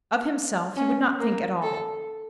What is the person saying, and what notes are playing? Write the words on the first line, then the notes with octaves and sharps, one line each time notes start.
Of himself he would not think at all.
C#4
A#3
A4